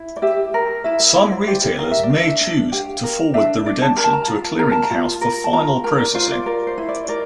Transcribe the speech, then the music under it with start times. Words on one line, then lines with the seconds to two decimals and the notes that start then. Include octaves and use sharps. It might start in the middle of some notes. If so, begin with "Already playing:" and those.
Some retailers may choose to forward the redemption to a clearinghouse for final processing.
Already playing: E4
0.16 D5
0.22 G4 E5
0.54 A#4
0.84 E4 E5
1.00 E5
1.16 E4 D5
1.32 C5
1.47 G4 D5
1.78 A#4 F5
1.91 E5
2.03 D5
2.10 D4
2.16 E5
2.41 D4
2.72 G4 F5
3.04 A#4
3.34 D4 E5
3.66 D4 D5
3.82 A5
3.96 A#4 A#5
4.04 A5
4.13 A#5
4.28 F4
4.59 A#4 A#5
4.72 A5
4.83 A#5
4.91 F4
5.21 A#4
5.44 A5
5.53 F4 A#5
5.84 A#4 A#5
6.00 D5
6.15 F4 C5
6.31 D5
6.46 A#4 D5
6.67 C5
6.78 E4
6.89 D5
7.08 A#4 D5